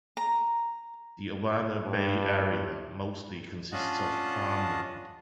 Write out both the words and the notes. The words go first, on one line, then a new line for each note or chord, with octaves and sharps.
The Awana Bay area mostly consists of farmland.
A#5
G2
C#4 D4 F4 D#5 F#5 A5